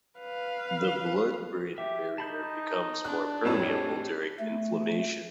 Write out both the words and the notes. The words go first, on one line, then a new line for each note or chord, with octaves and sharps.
The blood-brain barrier becomes more permeable during inflammation.
B4 F5
G4 E5
D#4 A5 B5 G6
D4 F#6
F2 A2 G4 G#4 C#5 G#5 A5
A3